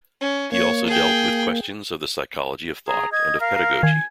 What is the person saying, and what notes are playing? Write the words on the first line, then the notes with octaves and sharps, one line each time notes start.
He also dealt with questions of the psychology of thought and of pedagogy.
C#4
A#3 C#5
G#4 G5
G#4 A#5
D#5 G#6
A#4 F5
A#4
D#3 G#5